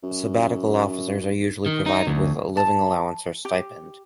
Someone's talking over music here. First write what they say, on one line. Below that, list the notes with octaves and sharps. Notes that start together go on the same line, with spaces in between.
Sabbatical officers are usually provided with a living allowance or stipend.
F#2
D#3
D#4
D2
A5
G4